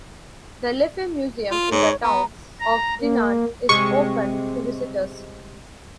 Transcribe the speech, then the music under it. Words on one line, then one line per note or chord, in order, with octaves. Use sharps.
The Leffe museum in the town of Dinant is open to visitors.
F4
G#2 C#5
B3 A#5
A#5
A#3
C3 G3 G#3 C#6